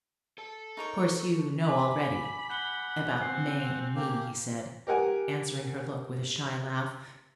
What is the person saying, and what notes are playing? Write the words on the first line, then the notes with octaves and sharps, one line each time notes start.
"Of course you know already--about May and me," he said, answering her look with a shy laugh.
A4 A5
D#4 A#4 C#5 C#6
G#5 B5 D6 F#7
F#5 G6 F#7 G7
C4 G#5 C7
F7
A#3 G4
G4 A#4 F#5 G#5